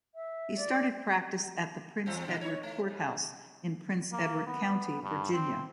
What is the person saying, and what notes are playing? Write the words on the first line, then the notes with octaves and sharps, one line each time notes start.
He started practice at the Prince Edward Court House in Prince Edward County, Virginia.
E5
D5
E2 F3 C4
B2 D#3
D#4 C#5
A3
G#2
A#3
B3
G2
C4